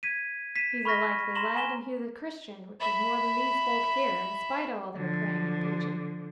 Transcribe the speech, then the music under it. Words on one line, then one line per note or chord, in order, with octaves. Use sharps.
He's a likely lad, and he's a Christian, which is more than these folk here, in spite o' all their praying and preaching.
G#6 B6 D#7
B6 C7 D#7 E7
B5 C#6 F6 A#6 B6
A#5 C6 A#6 E7 F#7 G7
G#5 E7 G7
E5 B5
D3 F3